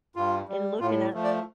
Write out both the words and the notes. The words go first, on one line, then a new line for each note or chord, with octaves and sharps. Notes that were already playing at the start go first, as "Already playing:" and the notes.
and looking at
G2 F4
G3
A2 F4
F3 A3
D5